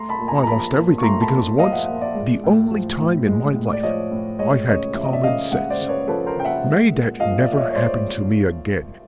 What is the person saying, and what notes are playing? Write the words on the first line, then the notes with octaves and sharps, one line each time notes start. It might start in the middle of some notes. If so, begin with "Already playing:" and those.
I lost everything because once--the only time in my life--I had common sense. May that never happen to me again!
Already playing: A3 A#5 C6
A5 B5
A#2
G#5 A#5
A#5
F3 A5 B5
A#2
C#6
A3 A#5 C6
A5 B5
A#2
F3 D#5 F5
E5 F#5
A#2
D5 E5
G#3
A2
F3
A2
G#3
A2
D5
F3 C#5 D#5
A2
G#3 C#5 D#5
C#3 C#5 D#5
F3 E5
D#5
D5 E5
C#3 D#5 F5
G#3 E5 F#5
C5 D5
C#3
B4 C#5
F3 A4 B4
A#4 C5
C#3 G5
E5 F#5
G#3
A#2
F3 D#5 F5
D5 E5
A#2
E5
C#5 D#5
C#5
G#3 C5 D5